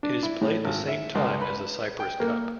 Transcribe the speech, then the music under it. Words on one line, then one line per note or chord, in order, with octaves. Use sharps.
It is played the same time as the Cyprus Cup.
D4
E4
A2
G#1
E5
C#2
B4
G5
A#3